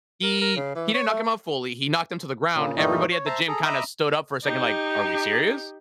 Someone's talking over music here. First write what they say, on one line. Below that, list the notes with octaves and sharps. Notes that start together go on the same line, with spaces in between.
He he didn't knock him out fully, he knocked him to the ground, everybody at the gym kinda stood up for a second like, "Are we serious?"
A#4
A#4
C#3
E3
C#5
A3
A#2 C#3
G2 A#2 E3 G3 A3 D#4
C#5
C5 E5 A5 A#5 C6
G#4 A4 A#5
D#5 E5 A#5 B5 D6 E6
D#4 G4